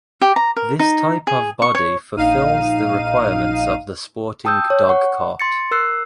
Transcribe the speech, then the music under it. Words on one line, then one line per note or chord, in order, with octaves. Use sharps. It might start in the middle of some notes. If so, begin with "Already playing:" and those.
This type of body fulfils the requirements of the sporting dogcart.
G4
A#5
A#4
D#4
G#4
C#6
C#5
A#1 D#4 F5 D#7
G5 A5 D#6 E6 G6
C#5
F#5 C#6
C6 A6 C#7
A#4 E6 F#6 C7